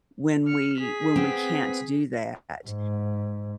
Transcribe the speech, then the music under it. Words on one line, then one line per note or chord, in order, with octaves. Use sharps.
when we when we can't do that.
F6 C#7
G#4 B6
B3 C4
G#2